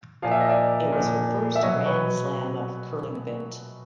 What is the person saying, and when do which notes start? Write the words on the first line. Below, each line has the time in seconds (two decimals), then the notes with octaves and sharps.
It was her first Grand Slam of Curling event.
0.22 A#2 F3 F5
0.31 E5
0.41 D#5
0.49 D5 E5
0.93 A#2 F3
1.56 E5
1.63 B2 F#3 C#5 D#5
1.86 B4 C#5